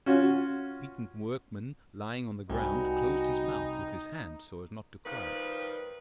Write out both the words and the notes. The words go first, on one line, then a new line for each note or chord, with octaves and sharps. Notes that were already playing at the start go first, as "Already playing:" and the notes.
The beaten workman, lying on the ground, closed his mouth with his hand so as not to cry.
C#4 F4 F#4
C2 D#4 F#4 G5 G#5 B5
D#3 F3 G3 B4